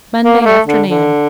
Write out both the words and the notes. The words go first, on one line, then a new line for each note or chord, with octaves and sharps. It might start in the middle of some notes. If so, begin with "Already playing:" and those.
Monday afternoon.
A#3
A#3
A3
D3
D3